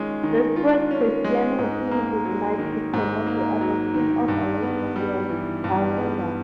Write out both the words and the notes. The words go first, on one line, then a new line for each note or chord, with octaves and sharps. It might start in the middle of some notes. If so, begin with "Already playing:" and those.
The spread of Christianity did much to promote the adoption of the Alexandrian calendar.
Already playing: D#3 G#3 C#4 F4
D#3
F4
C#4
G#3
G#2
A#3
F#3
D#3
G#2
A#3
F#3
D#3
G2
B3
G3
E3
G2
B3